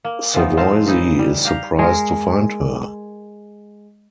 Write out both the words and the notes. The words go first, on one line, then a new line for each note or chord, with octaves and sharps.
Savoisy is surprised to find her.
A#3
E3 F3 B3 D#4
A2 G#3 C4 F5 A5 A#5
C#3 E3 D#4 E4
G3
G4 F5 A#5
G#3 A#4